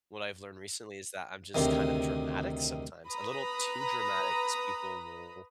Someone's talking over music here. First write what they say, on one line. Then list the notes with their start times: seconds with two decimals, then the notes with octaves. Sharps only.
what I've learned recently is that I'm just kind of dramatic sometimes. A little too dramatic, as people will
1.54 D2 C3 D#3
3.10 B4 A#5 B5 D#6